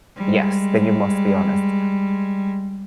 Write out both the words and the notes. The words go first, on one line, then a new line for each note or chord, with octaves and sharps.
Yes, then you must be honest.
G3 G#3